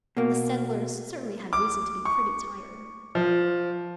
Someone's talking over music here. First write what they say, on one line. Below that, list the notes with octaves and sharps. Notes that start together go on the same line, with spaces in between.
The settlers certainly had reason to be pretty tired.
B2 A#3
D6
C#6
F3